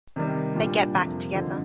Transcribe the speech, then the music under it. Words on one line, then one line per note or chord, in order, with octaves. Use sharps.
They get back together.
C3 D#3 G3
A#2 G3 D4
F2 C3 F3 A#3
G2 D3 F3 C4 D#4